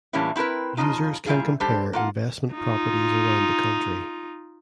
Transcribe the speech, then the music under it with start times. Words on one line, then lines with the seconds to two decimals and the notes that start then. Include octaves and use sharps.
Users can compare investment properties around the country.
0.13 A2 E3 G3 A#3 C#4 E4
0.36 C4 E4 F#4 A#4 B4
0.77 F2 G#2 C#3 D#4 F4
1.26 A#2 G3 E4 F4 G#4
1.60 G3 D4 G4 A4 C5
1.93 A#3 F4 F#5
2.54 D#4 F4